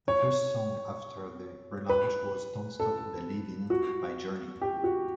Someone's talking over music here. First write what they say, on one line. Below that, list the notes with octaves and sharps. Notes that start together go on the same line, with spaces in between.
The first song after the relaunch was "Don't Stop Believin'" by Journey.
C#5
B4
A4
F#4
G4
F#4